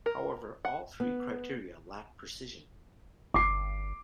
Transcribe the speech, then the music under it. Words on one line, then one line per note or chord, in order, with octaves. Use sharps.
However, all of three criteria lack precision.
A#4
F#5
B3
G1 D6 C7